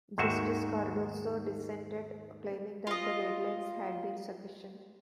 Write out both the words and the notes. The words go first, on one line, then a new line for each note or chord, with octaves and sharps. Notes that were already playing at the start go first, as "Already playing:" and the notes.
Justice Cardozo dissented, claiming that the guidelines had been sufficient.
D#2 G#2 D#3 F#4 E5
F4 D#5